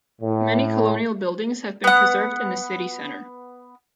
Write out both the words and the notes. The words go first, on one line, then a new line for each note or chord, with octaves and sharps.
Many colonial buildings have been preserved in the city centre.
A2
B3 F#5